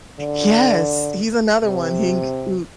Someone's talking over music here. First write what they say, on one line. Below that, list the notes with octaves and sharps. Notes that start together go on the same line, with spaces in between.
Yes, he's another one, he c ooh,
D3
C3